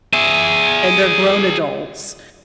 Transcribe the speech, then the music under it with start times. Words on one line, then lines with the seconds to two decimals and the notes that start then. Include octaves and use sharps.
and they're grown adults.
0.13 G#4 E5